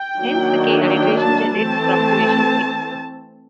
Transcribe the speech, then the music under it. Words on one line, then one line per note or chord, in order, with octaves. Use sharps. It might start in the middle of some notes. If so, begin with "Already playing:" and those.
Hence the "k" iteration generates approximation "x".
Already playing: G5
D#3 F#3 A#3 D4
G5
A5
E3 A3 C4 A5